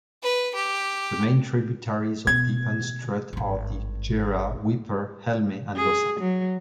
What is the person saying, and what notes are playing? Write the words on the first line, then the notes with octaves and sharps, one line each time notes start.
The main tributaries of the Unstrut are the Gera, Wipper, Helme, and Lossa.
B4
G4
B2 B3 G#6
G#1 G2
G#4
F#3